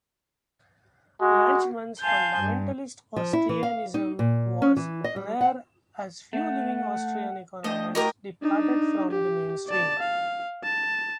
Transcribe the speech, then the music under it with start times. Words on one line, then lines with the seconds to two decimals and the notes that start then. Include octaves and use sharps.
Lachmann's "fundamentalist Austrianism" was rare as few living Austrian economists departed from the mainstream.
1.21 G#3 F#4
2.02 F5 G#5 A5 C6 G6
2.39 G2
3.16 F3
3.33 E4
3.49 E3
3.63 F5
3.94 D#4
4.19 A#2
4.62 C#4
4.77 E3
5.04 D#5
5.16 G3
5.41 F#5
6.33 A3 F#5
7.64 A3 D4 D#5 G5
7.95 A2 F#4 G4 A#4 D#5
8.42 D4 D#4
9.11 G4
9.67 D5 A5
10.00 F5
10.64 A5